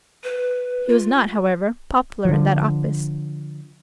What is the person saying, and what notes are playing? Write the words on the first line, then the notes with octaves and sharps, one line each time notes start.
He was not, however, popular in that office.
B4
F4
D3 F3